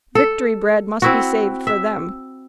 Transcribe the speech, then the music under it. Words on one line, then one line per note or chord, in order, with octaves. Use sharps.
Victory bread must be saved for them.
A4
C4 E4 F#4
E5